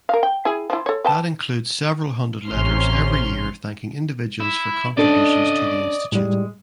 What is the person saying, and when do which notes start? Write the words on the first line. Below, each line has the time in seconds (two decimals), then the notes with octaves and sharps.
That includes several hundred letters every year thanking individuals for contributions to the Institute.
0.09 A#4 F5
0.23 G5
0.45 E4 G#4
0.70 F3 E4
0.86 A4 C#5
1.04 B4 G5 A5
2.47 A1 C3 C#4 C6 F6
4.40 E4
4.97 C#4 D4 A4 D5 D#5
6.12 A2 G3 G#3